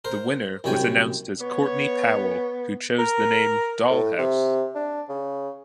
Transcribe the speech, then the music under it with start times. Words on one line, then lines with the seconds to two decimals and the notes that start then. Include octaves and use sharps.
The winner was announced as Courtney Powell who chose the name "Dollhouse".
0.05 A#4 C5
0.64 C2 F#2 D#3 C#5 G5 G#5
1.41 B3 C#5
2.99 A#4
3.90 A2
4.18 C3
4.75 D4
5.09 C#3